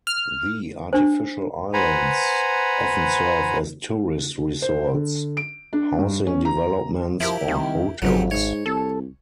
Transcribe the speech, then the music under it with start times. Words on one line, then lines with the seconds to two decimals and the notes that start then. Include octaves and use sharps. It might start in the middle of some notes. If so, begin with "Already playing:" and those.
The artificial islands often serve as tourist resorts, housing developments, or hotels.
0.07 F6
0.93 D4 C5
1.73 B4 C5 F#5 G#5 A#5 B5
4.62 C5
4.94 D3
5.37 D7
5.73 D4
5.99 G2
6.27 C#4
6.45 A#5
7.20 F3 E4 G4 A#4
7.48 C2 D#3
8.02 G#1 F2 F#3 G4
8.31 G#2 C#5
8.66 C2 A4